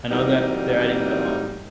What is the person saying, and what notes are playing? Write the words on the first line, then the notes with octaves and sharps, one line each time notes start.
I know that they're adding the, um,
E3 F#3 G3 A#3 C4 D#4